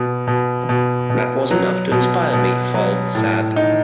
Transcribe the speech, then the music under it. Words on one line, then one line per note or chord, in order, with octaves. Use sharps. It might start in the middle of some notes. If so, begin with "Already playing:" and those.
"That was enough to inspire me", Fuld said.
Already playing: B2
B2
B2
B2
F#3
B2
B2
F#3
A2
D#4